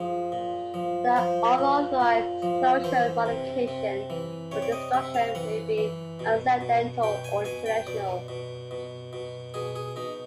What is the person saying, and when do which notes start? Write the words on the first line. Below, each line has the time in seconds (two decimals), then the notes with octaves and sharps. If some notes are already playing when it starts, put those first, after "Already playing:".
The unauthorized disclosure, modification, or destruction may be accidental or intentional.
Already playing: F3 G#4
0.32 A#2
0.74 F3
1.16 F3 C5
1.58 A#2
2.00 A#2
2.42 F3
2.84 E3 C5
3.26 C3
3.68 C3
4.10 E3
4.52 C3 C#5
4.62 D5
4.72 D#5
4.94 C3 E5
5.14 F5
5.35 E3 F#5
5.78 E3
6.19 B2
6.61 B2
7.03 B2 G5
7.24 G#5
7.45 B2 G#5
7.66 G5
7.87 B2 D5
8.28 B2
8.71 B2
9.13 B2
9.54 B2 G#4
9.76 G#4
9.96 B2 D#4